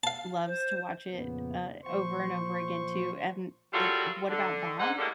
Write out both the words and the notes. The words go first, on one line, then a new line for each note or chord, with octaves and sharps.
loves to watch it, uh, over and over again, too. And it What About Bob?
F5 A5
C5
F2 A#2 C#3 B3
A#2 F3 C5 C#6
F#3 G3 F4 F#4 A4 A#4
D3
G#2 D#4 F#5
A2 D3 G3 G#3 A#3